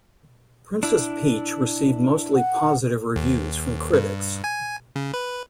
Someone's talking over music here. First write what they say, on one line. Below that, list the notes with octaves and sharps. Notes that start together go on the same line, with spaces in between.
Princess Peach received mostly positive reviews from critics.
D4 E4
F#5
D#2
G2
G#5
C#3
B4